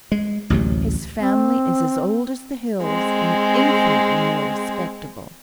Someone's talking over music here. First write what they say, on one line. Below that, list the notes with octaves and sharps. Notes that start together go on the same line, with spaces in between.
His family is as old as the hills, and infinitely more respectable.
G#3
A1 D2 C3 F#3
C4
G#3 C4